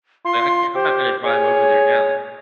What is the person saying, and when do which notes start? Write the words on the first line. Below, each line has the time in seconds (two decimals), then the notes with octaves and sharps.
but I can't I'm not gonna drive over there now.
0.25 F4 C6
0.75 G4 C5
1.24 G#4 C#5